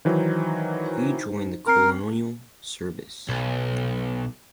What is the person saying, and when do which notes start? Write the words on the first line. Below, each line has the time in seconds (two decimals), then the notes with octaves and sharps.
He joined the Colonial Service.
0.05 D#3 E3 F#3 D#4 C5
1.67 C4 A#4 G5 F6 C7
3.29 B1